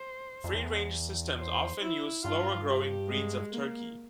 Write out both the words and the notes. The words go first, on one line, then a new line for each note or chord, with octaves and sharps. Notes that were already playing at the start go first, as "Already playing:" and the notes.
Free-range systems often use slower-growing breeds of turkey.
Already playing: C5
F2
E2
C5
E4
G2 F4
G4
G#3
A#3